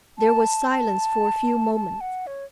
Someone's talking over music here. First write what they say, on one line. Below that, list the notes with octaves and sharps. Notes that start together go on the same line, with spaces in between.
There was silence for a few moments.
A5
A5
A5
F#5
C#5